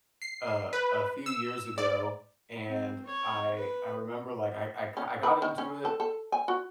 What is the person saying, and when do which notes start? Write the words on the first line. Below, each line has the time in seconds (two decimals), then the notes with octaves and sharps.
uh, a few years ago, and I I remember like, I I I ki I got into it.
0.22 C7
0.73 B4
1.26 E6
1.78 D5
2.66 C4
3.06 C#5
3.55 B4
4.97 C#4
5.23 B4
5.42 D#3
5.58 C#4
5.85 A4
6.00 A4
6.32 G#5
6.48 F#4